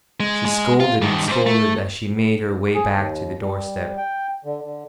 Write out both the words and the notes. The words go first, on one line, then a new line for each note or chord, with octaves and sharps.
She scolded and scolded as she made her way back to the doorstep.
G#3
G#3
F4
D#3 G3
G#2 C5
A3
G#4
D#2
G3
G5
D3
D3